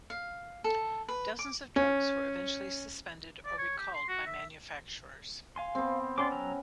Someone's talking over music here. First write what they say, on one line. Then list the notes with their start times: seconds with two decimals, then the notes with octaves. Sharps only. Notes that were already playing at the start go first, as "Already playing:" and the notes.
Dozens of drugs were eventually suspended or recalled by manufacturers.
0.10 F5
0.64 A4
1.08 B4
1.39 D6
1.76 C#4
3.45 D5
3.58 C#5
3.78 G4
3.94 C6
4.08 F#4
4.27 E5
5.56 F5 G#5 C6
5.75 B3 C4
6.18 C#4 D5 F#5 G5 C6 D6
6.32 F#3 A#5 E6